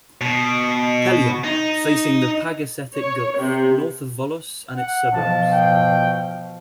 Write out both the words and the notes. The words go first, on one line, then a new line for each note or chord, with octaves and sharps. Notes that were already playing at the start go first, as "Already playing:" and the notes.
Pelion, facing the Pagasetic Gulf, north of Volos and its suburbs.
B2
D#4
C#5
C3
F#5
B2 F3 A5
G5